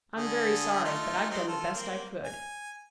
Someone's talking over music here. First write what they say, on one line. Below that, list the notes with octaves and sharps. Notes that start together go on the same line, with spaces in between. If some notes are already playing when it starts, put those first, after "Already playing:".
"I'm very sorry; but I've done the best I could."
D3 G#5 D#6
A3 D#4 F4
F#3 C4 D#4
F4 A4
A#3 C4
G#5